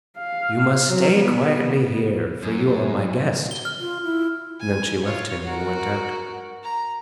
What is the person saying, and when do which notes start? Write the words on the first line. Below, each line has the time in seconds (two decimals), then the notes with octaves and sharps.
"You must stay quietly here, for you are my guest." Then she left him and went out.
0.18 F5
0.87 F#3
1.17 B3
2.43 F#2
3.51 G7
3.65 F6
3.80 F4
4.04 E4
4.60 G#5
5.05 F4 C#5
5.44 F#4 A#4
6.63 A#5